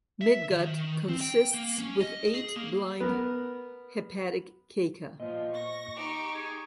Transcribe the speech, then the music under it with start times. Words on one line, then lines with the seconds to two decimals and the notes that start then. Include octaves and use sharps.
Midgut consists with eight blind hepatic caeca.
0.21 E5
0.50 D#3
1.09 C4
1.21 G5
1.54 A#3
1.79 C#4
2.01 D#5
2.34 G#4
2.56 A#3
3.00 B3 A#4
5.20 A#2 F3 D#5
5.54 C#6 A#6
5.96 D#4 G4 D6
6.34 G#4